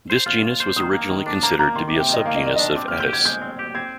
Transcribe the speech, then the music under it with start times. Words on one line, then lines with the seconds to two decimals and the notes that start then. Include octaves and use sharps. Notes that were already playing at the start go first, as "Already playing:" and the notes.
This genus was originally considered to be a subgenus of "Atys".
0.10 C5
0.26 F4 F6
0.42 F4
0.60 C5
0.76 D#3 D#6
0.93 A#3
1.09 D#3
1.26 D4 D6
1.43 A#3 A#5
1.59 A#3 A#5
1.75 D#3 C6
1.88 C3 D6
2.00 G5
2.09 D#3 D#5
2.26 A#3 F5
2.36 D#5
2.43 D#3 D5
2.56 D4 D#5
2.75 C4 D6
2.88 G4 F6
3.00 G6
3.09 G4 G#6
3.25 G#3 G6
3.42 C4
3.59 G4
3.75 C4 G#6